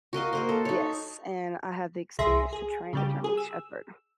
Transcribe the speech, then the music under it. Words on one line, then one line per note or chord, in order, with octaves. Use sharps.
Yes, and I have the experience to train a German Shepherd.
F#4 A#4 D#5 F5
A#3 A#4 C5
A4
D#4 C#5
C2 G#4 E5 C6 A#6
G#4
C#3 G3 G4
G#4
E6